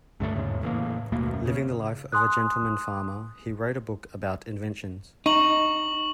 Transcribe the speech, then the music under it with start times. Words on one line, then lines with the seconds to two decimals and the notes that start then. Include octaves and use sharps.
Living the life of a gentleman farmer, he wrote a book about inventions.
0.20 C#2 G2 D3 A3
0.35 E2 G#2 C#3
0.63 A2 E3 A#3
1.12 D#2 B2 A3 A#3
1.33 F#2
1.46 C#3
2.12 G#5 C6 D#6 F#6
5.26 D#4 C#6 F#7